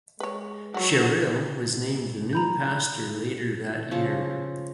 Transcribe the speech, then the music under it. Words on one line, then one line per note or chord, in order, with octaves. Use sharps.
Sherill was named the new pastor later that year.
G#3 B4 C#5
F#3 F#4 C#5
A#5 B5 G6
C#3 F3 A4 A5